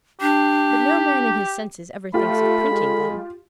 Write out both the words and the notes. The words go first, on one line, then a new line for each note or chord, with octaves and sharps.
But no man in his senses ever thinks of printing them.
D4 G4
A3 F4 G4 A4 B5
G#3